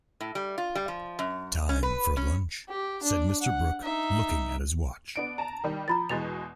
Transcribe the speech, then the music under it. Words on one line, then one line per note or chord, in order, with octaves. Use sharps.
"Time for lunch," said Mr. Brooke, looking at his watch.
A2
G3
F4
G3
F3
F#2
C#4
B4
C#4
G4
D4 D5
F#5
D#4 E5
B3 D4 D7
A5 A#5
D#3 G3
F3 A#5 B5 A6
E2 B2 G#3 A6 F7